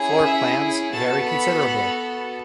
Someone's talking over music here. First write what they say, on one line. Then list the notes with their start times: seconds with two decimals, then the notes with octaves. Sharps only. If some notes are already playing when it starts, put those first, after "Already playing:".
Floor plans vary considerably.
Already playing: C#4 E4 G#4
0.25 E5
0.93 B3 F#4 A4 A5
1.27 B5